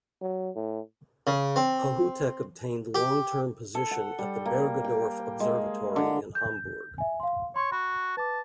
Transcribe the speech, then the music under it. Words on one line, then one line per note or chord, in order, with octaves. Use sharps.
Kohoutek obtained long term position at the Bergedorf Observatory in Hamburg.
F#3
A2
C#3
C4
G4
A4
F#5
G3
A#3
G5
G#3
D3
G6
E5 G#5
F5 C6
C#5 C6
F#4 B5
B4 A5 D6